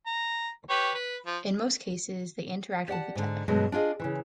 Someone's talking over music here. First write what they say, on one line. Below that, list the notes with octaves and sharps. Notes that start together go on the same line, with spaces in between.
In most cases they interact with each other.
A#5
G4 B4 C#5
B4
F3
G4 D5 F#5 A5
G#2 D3
G2 B2 D3 F#3 G#3
D4 F4 G#4 D#5
C#3 E3